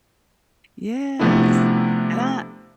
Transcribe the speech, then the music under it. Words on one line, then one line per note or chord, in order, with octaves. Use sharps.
Yes, and I
C3 F3 A3 B3 D4 E4